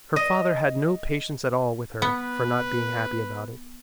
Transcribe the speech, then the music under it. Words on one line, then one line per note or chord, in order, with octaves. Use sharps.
Her father had no patience at all with her for not being happy about it.
D#5
B3 B4